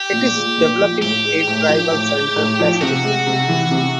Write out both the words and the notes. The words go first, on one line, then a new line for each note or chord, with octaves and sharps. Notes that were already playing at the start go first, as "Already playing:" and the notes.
It is developing a tribal center facility.
Already playing: G4
A#2
G#3
A#2
F3
A2 G4
G#3
A2
F3
A2
G#3
A2
F3
C3 F#4
G#3
C3
E3
C3